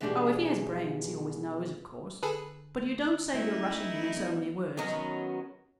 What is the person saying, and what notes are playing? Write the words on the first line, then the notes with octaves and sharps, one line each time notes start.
Oh, if he has brains, he always knows, of course; but you don't say you're rushing him in so many words.
B2 E3 G#3 D4 G4 G#4
D3 G#4 A4 B4
A3 C#4 D#4 E4 F#4
B3 D4
D#3 F#3 B3 C#4